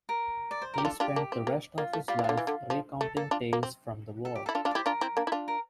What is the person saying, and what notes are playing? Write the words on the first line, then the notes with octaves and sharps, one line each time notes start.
He spent the rest of his life recounting tales from the war.
A#4
D5
C5
G4 A#4
D4 F4 A4
D4 F4 G4
A#3 D4
C4
A#3
A#3 F4
A3
G3 F4
E3
F4
D3
E3
D3
F3
A3 A4
A#3 A4
D4 F4
A#3
C4
A4
G4
E4 A4
D4 F4
D4 F4
D5
E4 G4
C5
D4 F4 A#4
C4 E4
A#3 D4
E4
D4 F4
A#4